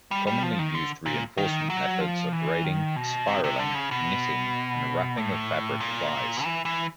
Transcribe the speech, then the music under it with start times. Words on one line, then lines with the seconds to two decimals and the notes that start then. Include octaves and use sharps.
Commonly used reinforcement methods are braiding, spiraling, knitting and wrapping of fabric plies.
0.11 G3
0.27 G3
0.43 F3
0.59 D#3
0.74 D3
1.06 A#2
1.38 D#3
1.70 F#3
2.01 F3
2.33 E3
2.64 D#3
2.96 B2
3.27 C3
3.44 C3
3.59 D3
3.75 C#3
3.91 B2
5.17 A2
5.80 A#2
6.44 E3
6.65 E3